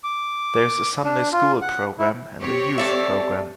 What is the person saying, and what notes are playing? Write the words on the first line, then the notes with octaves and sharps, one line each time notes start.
There is a Sunday School programme and a youth programme.
D6
D6
D4
F4
F#5
E4
C4 G4 C#5
A4 D5 E5